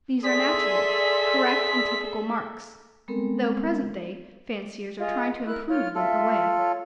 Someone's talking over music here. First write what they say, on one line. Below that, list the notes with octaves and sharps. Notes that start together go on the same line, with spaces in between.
These are natural, correct and typical marks, though present-day fanciers are trying to "improve" them away.
G#4 A4 D5 E5 C6 B6
G3 G#3 B3 C4 A4 A#4
F4 G#4 D#5
E4 A#4 F#6
F4 C#5 F6
F4 A4 E5
C#5